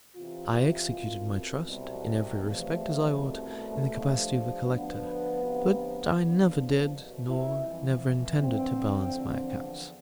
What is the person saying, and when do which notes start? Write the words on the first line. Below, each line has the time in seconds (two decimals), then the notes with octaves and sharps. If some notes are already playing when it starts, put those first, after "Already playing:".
I executed my Trust, in every Respect, as I ought, in the Capacity of a Collector; but I never did, nor never intended to balance my Accounts.
0.17 E2 C3 E3 F4
0.93 C2 B2
1.67 C2 B2
2.42 E2 C3 F3 A3
3.17 C2 B2
3.92 G2 F3
4.67 D2 D3 F3 B3
5.42 D2 C3 F3
6.16 E2 D3 F3
6.91 C2 B2
7.28 E4
7.66 F2 E3
8.41 E2 D3 F3 C4
9.16 E2 D3 F3